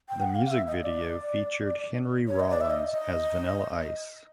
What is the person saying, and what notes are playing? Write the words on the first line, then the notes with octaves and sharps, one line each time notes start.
The music video featured Henry Rollins as Vanilla Ice.
G5
F#5
F5
F5
E5
D#5
D5
C#5
D#5
D5
E5
D#5
D#5